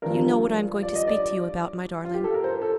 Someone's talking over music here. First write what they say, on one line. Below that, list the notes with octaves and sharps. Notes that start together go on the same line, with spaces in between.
"Do you know what I am going to speak to you about, my darling?"
G2 F3 A#4
D5
D#5
D5
F4
G4
A4
A#4
C5
A4